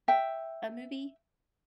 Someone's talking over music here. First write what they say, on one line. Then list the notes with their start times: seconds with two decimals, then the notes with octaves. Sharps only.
a movie?
0.08 E5 G5